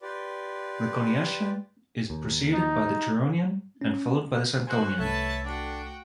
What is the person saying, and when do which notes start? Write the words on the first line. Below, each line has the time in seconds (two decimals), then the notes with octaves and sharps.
The Coniacian is preceded by the Turonian and followed by the Santonian.
0.01 F4 G4 B4 D5
2.10 D#2
2.53 D#4
3.81 C#4
4.67 F#4 C5 G#5 F#6
4.99 C2 A3 B4 C#5 E5 A5
5.44 D4 F#4 G5